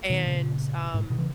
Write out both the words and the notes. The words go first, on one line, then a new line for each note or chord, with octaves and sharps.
And, um,
B2 D#3
A#2 C#3
G#2 B2
B2 D#3
C#3 E3